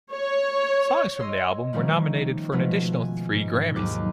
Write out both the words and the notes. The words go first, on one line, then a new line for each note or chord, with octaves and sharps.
Songs from the album were nominated for an additional three Grammys.
C#5
D#5 C6 E6
A#2 D#3 F3 G3 A3 C#4
B2 F3 G#3 A3 B3
G#5
G#2
D#2 G#2 F#3 G#5 D6 F#6